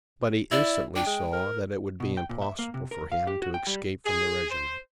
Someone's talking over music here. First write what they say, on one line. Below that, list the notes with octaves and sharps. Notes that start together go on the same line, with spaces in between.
But he instantly saw that it would be impossible for him to escape from the regiment.
E4 D5
D4 G5
G#3
A#4
B2
G5
A#2
E5
A#3
C3
A#4
F5
G4
F#4
G5
G3
G#4
C5